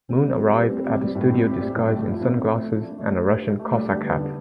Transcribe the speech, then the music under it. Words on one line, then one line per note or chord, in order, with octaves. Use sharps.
Moon arrived at the studio disguised in sunglasses and a Russian cossack hat.
C4
G3
G4
B4
C4
G3
G3
A2
C4
G4
G3
A2
A3
F3
C4
E4
A3
F3
D4
A3
G4
B4
D4
A3
G3
D3
B3
D3